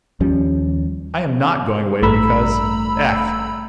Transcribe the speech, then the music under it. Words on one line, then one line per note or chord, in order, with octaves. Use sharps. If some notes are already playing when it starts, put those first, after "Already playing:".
I am not going away because ... ech!
D#2 F3 G3 C#4
A1 G2 A3 A#5 B5 E6